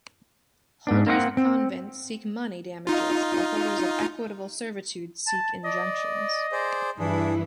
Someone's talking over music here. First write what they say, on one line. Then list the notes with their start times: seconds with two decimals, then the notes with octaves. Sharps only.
Holders of a "covenant" seek "money" damages, but holders of "equitable servitudes" seek "injunctions".
0.87 G#2 D4
1.07 A#3 C4 F#4 F#5
1.37 C4
2.87 D#4 F4
5.28 A5
5.64 D5 D#5
6.52 G#4 C5 D5
6.99 G2 E3 D4 E4 G#4